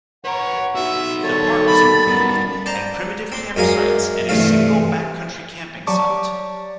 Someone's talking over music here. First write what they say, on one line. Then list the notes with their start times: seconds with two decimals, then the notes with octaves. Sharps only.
The park has improved and primitive campsites and a single backcountry camping site.
0.25 B4 C#5 F#5 A#5
0.75 D#4 F#4 E5
1.24 D#3 G3 A4 C#5 A6
1.67 B5
2.07 F#2 G3 B3 C#4 A#4
2.66 C5 D5 A5 A#5
3.32 C4 C6 D6
3.56 F#2 G#3 A#4 D5 F5 G#5
4.29 G2 C3 E3 A3 C4 F5
5.87 F#3 G4 D5 A5 C#6 D6